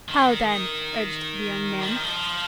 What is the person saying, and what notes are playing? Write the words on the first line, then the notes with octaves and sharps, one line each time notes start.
'How then?' urged the young man.
D#3
G3
F3
D#3
F3